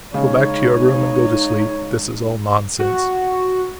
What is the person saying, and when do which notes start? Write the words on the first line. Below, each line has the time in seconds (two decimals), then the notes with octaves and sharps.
"Go back to your room and go to sleep. This is all nonsense."
0.14 C#3 G#3 D#4 C#5
2.80 F#4